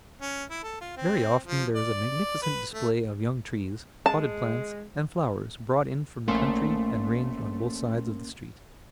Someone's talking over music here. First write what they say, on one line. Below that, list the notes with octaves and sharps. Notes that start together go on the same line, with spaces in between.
Very often there is a magnificent display of young trees, potted plants, and flowers, brought in from the country and ranged on both sides of the street.
C#4
E4
A4
F4
C4
F3
D5
B4
A3
G#3 A5
A#1 A3 A#3 C#4 C6